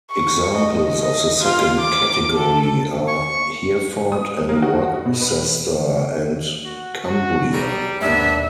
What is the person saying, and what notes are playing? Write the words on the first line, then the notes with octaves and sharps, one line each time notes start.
Examples of the second category are Hereford and Worcester and Cumbria.
C#6
D#5
D#5
F4
D6
A4
C#6
D#6
A#3
F#4
B2
B4
F#4
F#4
G3 G#4 A#5
D#2 G#2 B3 D4 E5